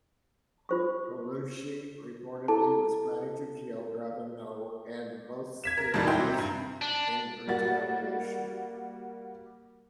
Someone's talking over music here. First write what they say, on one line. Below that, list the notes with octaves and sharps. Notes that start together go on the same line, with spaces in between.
Colucci reportedly was planning to kill Gravano and both Speros in retaliation.
F4 C5 C#6
E4 A4 A5
G#6 B6 E7
A#4
D#2 A2 D#3 F#3 G3
D#4 E4 F#4 G5 C6
C3
G2 A#5
D4
G3 A#3 F#4 A6